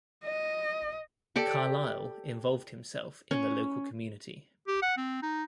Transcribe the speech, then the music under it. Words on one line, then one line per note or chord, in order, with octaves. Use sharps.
Carlisle involved himself in the local community.
D#5
G4 A4 D5
C#4
G4
F#5
C4
D#4